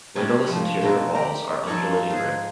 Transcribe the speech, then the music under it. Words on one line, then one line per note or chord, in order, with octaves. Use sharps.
Windowless interior walls are undulating brick.
C3 G3 C#4 D4
F3
B2 G#3 A3 D#4 A#4
G4 A#4 A#5
F3 D#4 A4 C#5
G#2 G#4